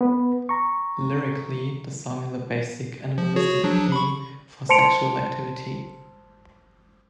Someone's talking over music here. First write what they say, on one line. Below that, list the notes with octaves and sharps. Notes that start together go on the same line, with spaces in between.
Lyrically, the song is a basic, animalistic plea for sexual activity.
B3 B4
A#5 C#6
F3
F#4 G#4 C#5
F3 F#3 D4
B5 C#6
C5 A5 C6 C#7 D7 F7